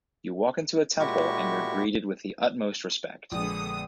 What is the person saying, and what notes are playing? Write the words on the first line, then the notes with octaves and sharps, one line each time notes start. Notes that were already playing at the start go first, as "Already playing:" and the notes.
You walk into a temple and you're greeted with the utmost respect...
A#2 G#3 E4 F#4 G4 C#6
A#1 D3 G#3 B3 D#6